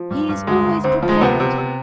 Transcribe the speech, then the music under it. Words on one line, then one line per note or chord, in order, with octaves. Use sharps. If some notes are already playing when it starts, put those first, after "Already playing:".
'He is always prepared!
Already playing: F3
G2
G2
D2 G#3
D2
D2 C4
F3
G#3
C3 B3
C3
C3